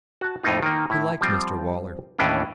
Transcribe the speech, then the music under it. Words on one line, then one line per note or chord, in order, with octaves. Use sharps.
He liked Mr Waller.
F#4 A5
F2 A2 A3 A#3 D#4 F4
D#3 A#3
A2 E4
F3 G3 C4 F4
D#2 A2 E3 C#4 D4